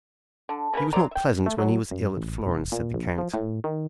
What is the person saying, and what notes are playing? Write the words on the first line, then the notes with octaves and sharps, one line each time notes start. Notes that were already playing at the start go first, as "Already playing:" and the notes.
"He was not pleasant when he was ill at Florence," said the count.
D3
C#3 A#3 A#4 B4
F#3 C5 D5 A#5
E5 G5
A3
F#3
F#2
A1
E1
A#2
A#1
F3
A2
D#3